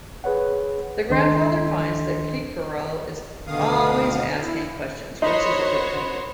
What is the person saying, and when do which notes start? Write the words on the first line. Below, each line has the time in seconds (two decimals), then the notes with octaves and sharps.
The grandfather finds that Kirikou is always asking questions, which is a good thing.
0.24 G#4 B4 C#5 F#5
1.09 C#2 D#3 D4 A4 D#5 C6
3.47 D2 B2 D3 D#3 F5 D#6
4.40 E4
5.22 D#4 F#4 A#4 C5 C#5 B5 C6